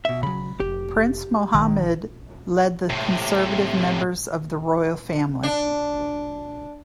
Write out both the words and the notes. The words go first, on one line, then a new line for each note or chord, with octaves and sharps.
Prince Muhammad led the conservative members of the royal family.
B2 E5
C#3 F#3 B5
F1 G4
A#1 D#3
A2 C3
D4